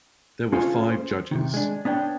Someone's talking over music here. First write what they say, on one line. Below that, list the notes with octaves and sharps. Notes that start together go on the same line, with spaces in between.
There were five judges.
C#4 F4 G#4 A4 C5 F5
C5
C3 D#3
G#3 D4
B3 D4 C#5 G5